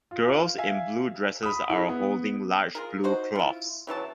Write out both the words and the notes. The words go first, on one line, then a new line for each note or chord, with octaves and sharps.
Girls in blue dresses are holding large blue cloths.
F4
E5 F5 G#5
B5 D#6
E4 G#4
B3
F4 G#4 A#4
D#4 F#4 C5
E4 F4
C#3 E3 F#3 A5